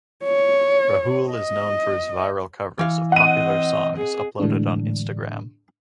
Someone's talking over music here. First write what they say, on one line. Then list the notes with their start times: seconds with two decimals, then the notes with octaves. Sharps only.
Rahul is known for his viral covers of popular songs uploaded on Instagram.
0.24 C#5
1.32 D#5
2.79 E3 F5
3.12 C4 D#5 F#5 D#7
3.96 G#4
4.40 A2 D3 E3 G#3 D4